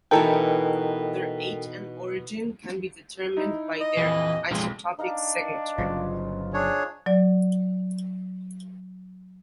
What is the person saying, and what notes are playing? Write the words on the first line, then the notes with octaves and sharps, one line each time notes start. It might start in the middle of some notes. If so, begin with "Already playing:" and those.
Their age and origin can be determined by their isotopic signature.
B2 E3 D#4 A4 A#4 G5
D#4 E4
D#5
D#1 F2 E3
B1 F2 D3 F3 G#3
D4 D#4 F5 A#5
G1 C#3 F#3 F4 C5
D4 G#4 C#5
F#3 D5